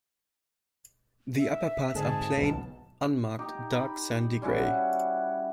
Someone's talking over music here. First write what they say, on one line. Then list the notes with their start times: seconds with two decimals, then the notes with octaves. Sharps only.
The upper parts are plain, unmarked dark sandy-grey.
1.38 E5
1.95 G#2 D3 C4 G#4 A5
2.37 B1 G#2 B2
3.39 D#4 G4
3.72 B5
4.42 G3 C#4 E4 F#4